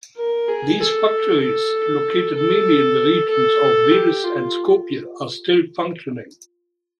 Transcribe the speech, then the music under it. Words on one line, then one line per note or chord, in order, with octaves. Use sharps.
These factories, located mainly in the regions of Veles and Skopje are still functioning.
A#4
G#4
A4
A4
A4
A4
G4
F4